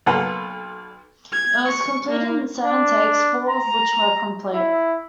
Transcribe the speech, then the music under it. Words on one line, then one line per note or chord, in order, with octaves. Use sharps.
It was completed in seven takes, four of which were complete.
B1 A#3 A4 B4 F#5
G#6
C#6
A#3
D4
A#5
E4